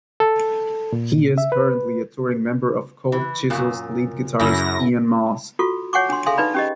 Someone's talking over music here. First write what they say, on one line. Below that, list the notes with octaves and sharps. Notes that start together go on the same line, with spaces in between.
He is currently a touring member of Cold Chisel's lead guitarist Ian Moss.
A4
A#2
E5
B4
E3
F#2 A#2
F#2 C#3 E4 A#6
F4 F#4 A4 C#6
C#5 F#5 G#5 C#6 D6
D4 C6
G#4 A4 E5 F5 G#5 C6
D#4 B4 D5 B5
C#4 G4 D#5